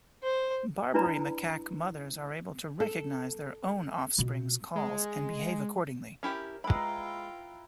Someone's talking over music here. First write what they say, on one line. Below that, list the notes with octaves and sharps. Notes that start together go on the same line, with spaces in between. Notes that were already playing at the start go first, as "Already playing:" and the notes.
Barbary macaque mothers are able to recognize their own offspring's calls and behave accordingly.
C5
D4 E4 B4 D5 A#5 B5
A4
B2 F4
G#3
C#4 E4 G4 A#4
G#3 E4 F4 B4 G5 A#5 B5